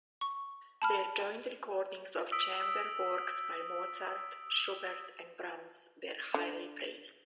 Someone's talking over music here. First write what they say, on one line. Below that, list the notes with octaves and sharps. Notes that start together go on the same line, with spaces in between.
Their joint recordings of chamber works by Mozart, Schubert and Brahms were highly praised.
C#6
A5 B5 F6
D#6 E6 B6 D7
D3